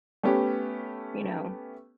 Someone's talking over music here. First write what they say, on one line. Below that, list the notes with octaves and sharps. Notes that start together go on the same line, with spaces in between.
you know?
A3 B3 C#4 G4